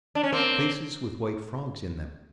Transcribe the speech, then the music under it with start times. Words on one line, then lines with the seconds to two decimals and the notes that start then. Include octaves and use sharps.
Places with white frogs in them.
0.15 D4
0.23 C#4
0.32 A#3 C4